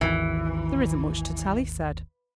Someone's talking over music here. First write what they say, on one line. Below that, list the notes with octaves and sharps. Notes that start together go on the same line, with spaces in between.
"There isn't much to tell," he said.
G#1 D#2 E3